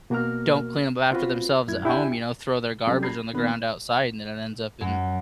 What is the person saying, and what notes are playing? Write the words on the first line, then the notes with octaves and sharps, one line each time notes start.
don't clean up after themselves at home, you know, throw their garbage on the ground outside, and then it ends up in,
B2 A#3 F#4 A#4 A#5 F6
C4 F4 F#4 B4
F#2 E4 G#6
D4 E4 G4 E5 G5 G#5
F#3 G3 C#4 G4 A4
A#5 B5 G#6 C7
D#3 B3
F#2